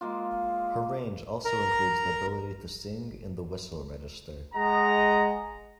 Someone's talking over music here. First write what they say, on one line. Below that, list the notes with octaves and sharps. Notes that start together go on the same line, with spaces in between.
Her range also includes the ability to sing in the whistle register.
G#3 A#3 F4
A#4 A#5
G#3 D#5 F#5 A#5